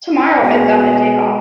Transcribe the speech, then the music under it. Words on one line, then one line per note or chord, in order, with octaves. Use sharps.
Tomorrow I’ve got a day off.
B2 G#3